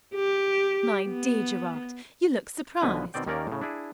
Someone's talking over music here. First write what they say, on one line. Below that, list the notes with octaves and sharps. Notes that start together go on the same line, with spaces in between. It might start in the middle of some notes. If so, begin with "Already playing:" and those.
My dear Gerard! you look surprised.
G4
B3
B1 B2 D3 F3 B4 G#5
B2 D#3 C4 D5 G5
D#2 D#3 A#3 C#4 A#4 D5
A2 C#3
D4 E4 G#4